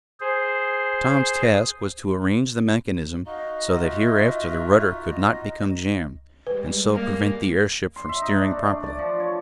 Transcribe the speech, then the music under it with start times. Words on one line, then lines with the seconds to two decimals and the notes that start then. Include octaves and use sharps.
Tom's task was to arrange the mechanism so that, hereafter, the rudder could not become jammed, and so prevent the airship from steering properly.
0.20 G#4 C5
3.26 D#4 F#4 D#5 F5
3.73 D#4 F4 F#4 E5
5.06 D#5
6.47 G3 G#3 B4
6.93 A#3
7.96 C6
8.09 E5
8.22 D#4
8.37 D4
8.52 A3
8.67 D4
8.83 D5
8.99 F3
9.20 C#5